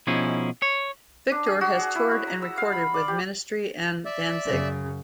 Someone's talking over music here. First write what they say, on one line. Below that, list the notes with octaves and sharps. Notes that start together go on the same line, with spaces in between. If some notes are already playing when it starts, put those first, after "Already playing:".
Victor has toured and recorded with Ministry, and Danzig.
B2 F3 C#4 D#4 E4 G#4
C#5
D4
G#4
F#4
G#4
E4
C#5
A#5
E6
F5
B5
D5
G4
D5 E5
F#2 C#3